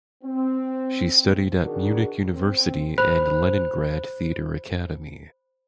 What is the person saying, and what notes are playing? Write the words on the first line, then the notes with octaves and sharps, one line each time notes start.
She studied at Munich University and Leningrad Theater Academy.
C4
D#3 D4 F#4 G#4 A#4
C4
C5 B5 F#6